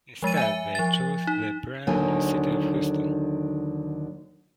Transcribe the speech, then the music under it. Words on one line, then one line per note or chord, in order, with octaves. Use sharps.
Instead, they chose the brand-new city of Houston.
F3 G#3 A6 D#7
E5 G#5
F3 A6
D#4
D#2 D3 D#3 F#3 G#5